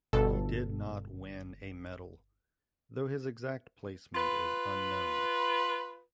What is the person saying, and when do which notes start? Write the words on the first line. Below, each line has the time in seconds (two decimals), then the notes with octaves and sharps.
He did not win a medal, though his exact placement is unknown.
0.13 G1 B2 A4
4.14 F4 B4